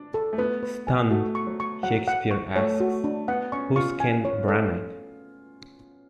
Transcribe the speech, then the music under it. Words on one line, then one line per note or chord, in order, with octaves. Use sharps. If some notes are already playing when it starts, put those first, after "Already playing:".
Stunned, Shakespeare asks, Who's Ken Branagh?
Already playing: D4
A4
A3
B3 B4
B4
G#5
A3 F#4
C#6
F#3
C#6
F#3 F#5
F#5
C#6
A3 C#5
F#4
D4
B3 F#5
C#4 C#6
F4 C#6
G#5
C#5
A4